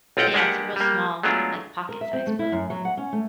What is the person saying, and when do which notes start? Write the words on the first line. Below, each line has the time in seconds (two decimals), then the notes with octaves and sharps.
Yeah, it's a real small, like, pocket-sized book
0.17 B1 C4 F4 G4 F#5 G5
0.34 G#3 A#3 D4 G4 B4 F#5
0.76 G3 A#3
1.23 F#3 G#3 A3 B3 D4 F4
1.89 A#4
2.01 E5
2.13 C4
2.27 A3
2.39 E4
2.52 F#2
2.70 F#3
2.85 F#5
2.97 C#4
3.13 A3